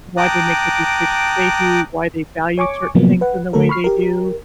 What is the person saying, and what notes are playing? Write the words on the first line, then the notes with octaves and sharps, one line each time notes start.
why they make the decisions they do, why they value certain things in the way they do.
G5 A5 A#5 D6 D#6 F#6
C#5 G#5 C#6 D6
A2 C3 F3 F#3 A#3 B3
B4 F#5
D3 A3 A4 A#4
B5 C#6 F6 C7
G4 A#4